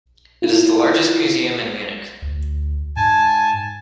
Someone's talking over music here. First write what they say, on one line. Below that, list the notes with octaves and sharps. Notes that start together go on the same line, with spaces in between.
It is the largest museum in Munich.
E4 F4
D2
G#2 G#5 A5